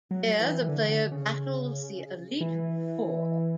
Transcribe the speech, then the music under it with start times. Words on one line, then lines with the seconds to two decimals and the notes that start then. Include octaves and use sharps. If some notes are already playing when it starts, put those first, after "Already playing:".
There the player battles the Elite Four.
0.11 F#3
0.40 E3
0.62 E3
0.68 D3
1.12 C#3
2.41 E3